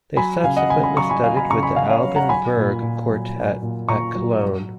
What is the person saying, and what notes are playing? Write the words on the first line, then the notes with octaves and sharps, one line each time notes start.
They subsequently studied with the Alban Berg Quartet at Cologne.
F#3 G#5 B5
C#3 F5 G#5
D#5 F#5
C#3 G#5 B5
G#5 B5
F#3 A#5 C#6
G#5 B5
F#3 F5 G#5
G#5 B5
C#3 A#5 C#6
G#5 B5
C#3 F5 G#5
C#5 F5
F#3
F#5 A#5
F#3 G#5 B5
A#2
A#2
F#3
F#3
A#2
A#2 A#5 C#6
F#3
F#3